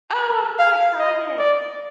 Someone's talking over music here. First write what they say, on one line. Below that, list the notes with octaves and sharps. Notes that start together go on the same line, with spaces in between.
Oh, I'm so excited.
F5
D#5
D5